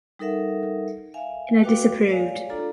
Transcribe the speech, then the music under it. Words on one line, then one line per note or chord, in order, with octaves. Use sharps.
And I disapproved.
G3 D#4 A4 A#4 E5 F#5
E5 F5 G#5
F#4 B4 F5 G5 D6
C#5 D5 F5 G#5
D4 F4 A4 D5 A#5